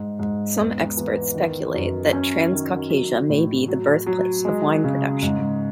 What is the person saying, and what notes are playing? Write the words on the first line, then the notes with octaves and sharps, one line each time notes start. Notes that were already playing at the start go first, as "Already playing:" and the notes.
Some experts speculate that Transcaucasia may be the birthplace of wine production.
Already playing: G#2
G#2
E2
E3
D#3
F#2
C#4
D#3
F#3
A2
F#3
F#3
G#3
C#3
G#2